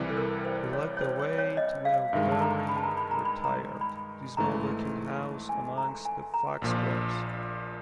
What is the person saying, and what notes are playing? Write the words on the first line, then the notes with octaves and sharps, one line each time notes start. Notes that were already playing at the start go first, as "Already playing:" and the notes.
He led the way to a very retired, dismal-looking house amongst the foxgloves.
Already playing: C2 C3 E3 G3
A4
A#4
C5
C#5
C#5
C5
C#5
C#5
D#5
F5
G2 D#3 G#3 E5
A5
A#5
B5
A5
A#5
B5
A#5
B5
A#5
B5
G#1 G#2 E3 A3 A#5
G#5
A#5
G#5
A#5
A#1 A#2 F3